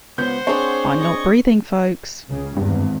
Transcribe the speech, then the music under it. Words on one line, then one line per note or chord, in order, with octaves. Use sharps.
I'm not breathing folks!
C#2 B3 C5 F#5 G6
C4 D4 G#4 C#5
D#5 C#6
C#2 C#3
G#1 E2 G2